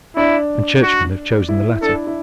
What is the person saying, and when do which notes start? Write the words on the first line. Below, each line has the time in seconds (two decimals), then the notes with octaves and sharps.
And Churchmen have chosen the latter.
0.16 D4 E4
0.83 F#4
1.49 E4
1.82 D4 A4
2.07 E4